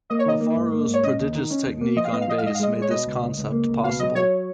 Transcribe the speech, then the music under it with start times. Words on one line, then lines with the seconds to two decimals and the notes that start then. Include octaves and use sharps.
LaFaro's prodigious technique on bass made this concept possible.
0.10 A#3 D#5
0.19 C#5
0.26 D#3 D#5
0.41 A#3
0.57 G#2
0.72 A#3
0.88 G#2
0.94 C#5
1.03 C#4 D#5
1.19 D#2
1.35 D#3
1.51 C#4
1.65 D#2
1.81 A#3
1.96 F3 D#5
2.05 F5
2.12 B3 D#5
2.21 F5
2.27 F3 D#5
2.38 F5
2.43 G#2 D#5
2.55 F5
2.60 G#3 D#5
2.75 G#3
2.82 C#5
2.90 B2 D#5
3.06 C#2
3.22 C#2
3.38 C#2
3.52 A#3
3.68 C#2
3.83 B2 F5
3.99 F#3 D#5
4.15 F#3 C#5